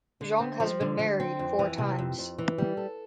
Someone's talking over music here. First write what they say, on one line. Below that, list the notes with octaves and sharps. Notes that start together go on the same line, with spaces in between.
Jong has been married four times.
D3
C4
F3
D3
D3
C4
F2
E3
C3
F2
F2
E3
G3
A4